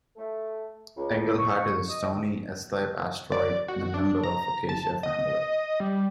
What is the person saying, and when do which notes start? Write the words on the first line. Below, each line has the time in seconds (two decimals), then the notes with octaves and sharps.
"Engelhardt" is a stony S-type asteroid and a member of the Phocaea family.
0.16 A3
0.96 C#2
1.38 C#6
1.88 D#5
3.32 D5
3.68 F#4
3.94 D4
4.24 A#5
4.69 A5
5.03 D#5
5.80 G3